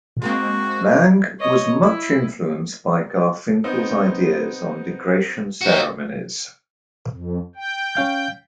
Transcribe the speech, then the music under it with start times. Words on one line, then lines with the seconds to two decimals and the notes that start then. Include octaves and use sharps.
Laing, was much influenced by Garfinkel's ideas on 'degradation ceremonies'.
0.22 G#3 A#3 C4 F#4
1.40 C#5 D#5
1.82 E4
3.64 B3 C4 D#4
5.61 D#4 F#4
7.10 F2
7.56 G5
7.95 C#4 F5 G6